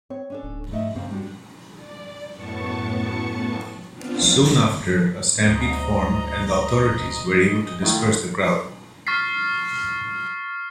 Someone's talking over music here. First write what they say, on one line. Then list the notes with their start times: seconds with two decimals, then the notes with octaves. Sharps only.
Soon after, a stampede formed and the authorities were able to disperse the crowd.
0.10 C4 C#5
0.30 C#4 D4 A4
0.43 D1
0.72 G#2 A3 D#5 E5
0.96 G2 C#3 A#3 C4
1.11 G3 D4 F#4
1.75 D5
2.32 F#2 A2 B3 A5 C#6 C#7
3.93 B3 C4 D4 F4 F5
5.48 D2 D#5 A#5
7.82 D#3 A3 E4 F4
9.07 C#6 F6 A6 B6 C7